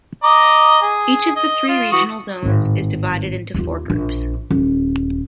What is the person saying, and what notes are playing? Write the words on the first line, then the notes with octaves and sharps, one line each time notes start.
Each of the three regional zones is divided into four groups.
D#5 A#5 D6
G#4
D#5
F4
E3 F#4 D#6
G#1 A2
D#2 F4
A#1
D#1